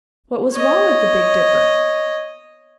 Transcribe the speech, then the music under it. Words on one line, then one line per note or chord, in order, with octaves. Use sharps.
What was wrong at the Big Dipper?
C#5 D#5